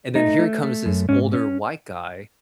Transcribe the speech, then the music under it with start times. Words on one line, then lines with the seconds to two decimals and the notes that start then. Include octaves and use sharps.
and then here comes this older white guy
0.15 A3 D#4
0.39 A3
0.63 A3
0.86 F#2
1.09 G#2 C#4
1.33 C#4